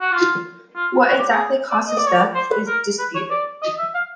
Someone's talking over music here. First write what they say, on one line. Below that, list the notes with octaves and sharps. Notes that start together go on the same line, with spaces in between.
What exactly caused his death is disputed.
F#4
F4
F4
F#4
G4
G#4
D5
D#5
D5
C#5
D5
C5
B4
A#4
B4
C#5
D5
D#5
E5
F5